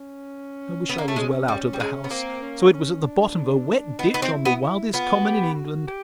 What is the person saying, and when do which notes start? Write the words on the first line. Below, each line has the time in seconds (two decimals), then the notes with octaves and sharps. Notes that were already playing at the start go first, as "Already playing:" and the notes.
I wish I was well out of the house; so it was at the bottom of a wet ditch, on the wildest common in England.
Already playing: C#4
0.89 B3
0.98 A#3
1.08 A3
1.16 G#3
1.48 G3
1.73 G3
1.80 G#3
2.04 B3
2.11 A#3 C4
2.42 C#4
2.74 C#4
3.04 D4
3.99 B3 D#4
4.14 B3
4.22 C4
4.30 E4
4.45 B3
4.62 E4
4.93 B3 F4
5.15 F#4
5.25 G4
5.55 F#4
5.87 G4